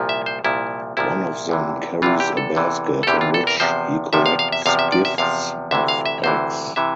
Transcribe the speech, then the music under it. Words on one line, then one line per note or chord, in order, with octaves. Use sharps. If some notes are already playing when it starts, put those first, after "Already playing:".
One of them carries a basket in which he collects gifts of eggs.
Already playing: C2 A#2 F3
E5
C5
C2 A#2 F3 E4
C2 A#2 F3 E4
E2 C3 E3
E2 C3 E3 F4
G4
A4
E2 C3 E3
A4
E2 C3 E3 G4
F4
A4
A#4
E2 C3 F3 C5
E2 C3 F3 E5
F5
F5
E5
E2 C3 F3 F5
E5
D5
E5
E2 C3 F3 F5
D2 C3 E3 E5
F5
E5
D2 C3 E3 C5
C3 E3 E5